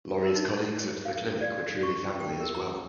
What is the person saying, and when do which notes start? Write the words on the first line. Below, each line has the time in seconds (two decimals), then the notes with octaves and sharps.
Laurie's colleagues at the clinic were truly family as well.
0.23 A#4
0.35 D#4
0.80 C#5
1.05 F5
1.41 D5
1.83 C#6
2.20 G5
2.40 A#4
2.55 A#5